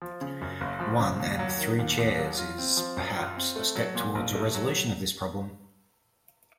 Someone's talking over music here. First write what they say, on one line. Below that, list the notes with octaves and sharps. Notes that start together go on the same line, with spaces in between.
"One and Three Chairs" is, perhaps, a step towards a resolution of this problem.
F3
C#3
F#2
F#1
F3
C#3
D#2
F#3
D#3
D#2
D#2
F#3
F4
C4
F3
F#2
F4
C4
A3
F#3
A#2
A#1
A3
F#3